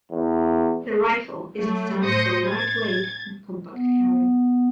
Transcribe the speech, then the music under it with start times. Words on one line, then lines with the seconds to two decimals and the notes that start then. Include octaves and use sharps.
The rifle is designed for light weight and compact carry.
0.11 E2
1.57 F#3 A3
2.01 A2 C5 D#6 A#6 C#7
2.45 G#6 A6
3.75 B3